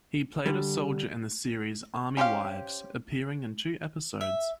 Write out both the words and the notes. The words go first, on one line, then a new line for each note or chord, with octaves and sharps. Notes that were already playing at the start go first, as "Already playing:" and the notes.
He played a soldier in the series "Army Wives", appearing in two episodes.
D3 G3
C#4 G4 C5 D5 F5
E5